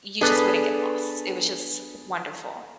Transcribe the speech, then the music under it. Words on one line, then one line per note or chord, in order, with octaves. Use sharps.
You just wouldn't get lost it was just wonderful.
B3 D4 G#4 A4 B4